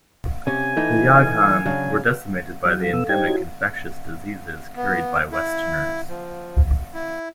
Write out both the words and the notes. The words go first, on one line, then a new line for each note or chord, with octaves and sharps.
The Yaghan were decimated by the endemic infectious diseases carried by Westerners.
C3 C#4 G#5
E3 A3 D#4
C#3 F#3 D4
F#3
A4 F5
B2 B3 E6
D#4 G4 C5 G5 G#6
E4 F#4 C#5
B3
E4
F3
E4